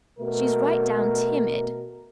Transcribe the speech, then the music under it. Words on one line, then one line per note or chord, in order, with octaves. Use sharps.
She's right down timid.
B2 A3 A#4